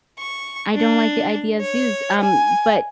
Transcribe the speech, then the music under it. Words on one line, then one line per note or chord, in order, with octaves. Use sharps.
I don't like the idea zoos, um, but
C#6
D4
C#5
G#5